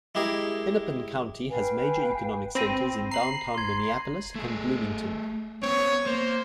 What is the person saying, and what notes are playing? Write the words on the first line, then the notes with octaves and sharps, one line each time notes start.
Hennepin County has major economic centers in downtown Minneapolis and Bloomington.
G#3 E4 G4 G#4 A#4
B4 F5 G5 G#5
C4 B5 A#6 D#7
A#5 C7 F#7
C6 G#6
A3 G#4
B3 C4 C#5
A#3 C5